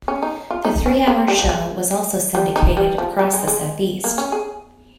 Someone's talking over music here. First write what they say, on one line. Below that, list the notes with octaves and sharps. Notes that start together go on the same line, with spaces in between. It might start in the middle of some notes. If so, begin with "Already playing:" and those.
The three-hour show was also syndicated across the Southeast.
C#4
D#4
F4
D#4
C#4
C4
G3
F3
G#3
G3
D#4
G3
F3
G3
G#3
G#3
A#3
C#4
G#4